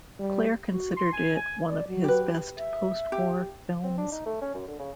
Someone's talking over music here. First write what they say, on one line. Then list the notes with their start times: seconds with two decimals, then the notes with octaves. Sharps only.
Clair considered it one of his best post-war films.
0.19 G3
0.71 F#4
0.97 C6
1.13 G#5
1.36 G#5
1.69 D5
1.88 F#3
2.04 G4 B4
2.58 E5
3.12 G4
3.84 C4
3.97 D4
4.12 D#4
4.25 A3
4.42 C#4
4.54 F#2
4.68 D3
4.79 C#3